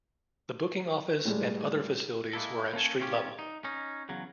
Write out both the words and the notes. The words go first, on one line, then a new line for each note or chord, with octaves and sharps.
The booking office and other facilities were at street level.
A2 G3 G#3
G#3 A#3 E4 A4
A#3 C#4 A4 G#5
D#2 C3 C#4 F4 G4
D#4
C#4 D#4
E2 C#3 F#3